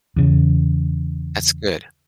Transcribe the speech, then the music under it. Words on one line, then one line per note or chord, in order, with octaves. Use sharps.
That's good.
E2 C#3